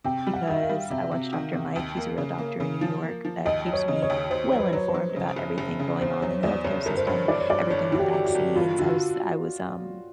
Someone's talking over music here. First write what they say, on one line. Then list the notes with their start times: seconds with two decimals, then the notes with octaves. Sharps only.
because I watch Dr. Mike. He's a real doctor in New York that keeps me well-informed about everything going on in the healthcare system, everything with vaccines. I was I was, um,
0.04 C3 G5
0.27 G3
0.33 F#5
0.47 D#3 E5
0.62 F5
0.69 G3
0.90 C3 E5
1.11 C3
1.33 D#3
1.53 C3
1.76 D#2
1.97 A#3
2.18 C#3
2.39 A#3
2.60 C#3
2.81 F3
3.03 A#3
3.25 F3
3.45 D#2 D#5
3.66 F#3
3.73 C#5
3.88 C#3
4.02 C#5
4.10 D#2
4.30 D#2 C5
4.52 F#3
4.59 B4
4.73 F#3 C#5
4.88 C5
4.94 F#3
5.16 C#3
5.36 F#1
5.58 F#1
5.79 C#3
6.00 E2 C5
6.22 F#3 C#5
6.43 E2 D5
6.64 F#1 C#5
6.86 G1 A#4
6.97 C5
7.06 G2 C#5
7.28 E3 D5
7.39 C#5
7.50 G2 D5
7.70 G1 C#5
7.92 E3 F#4
7.99 G4
8.14 G1
8.28 F#4
8.35 G1
8.55 G2 F4
8.78 D3 F4
8.85 F#4